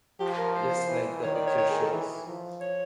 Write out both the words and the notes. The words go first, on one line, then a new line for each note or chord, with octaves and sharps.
Just like the picture shows.
F3 G4
A#4
C5
E3
D#3 C#5
D5
C#5
C#5
G#4
A4
E3
F3
C#5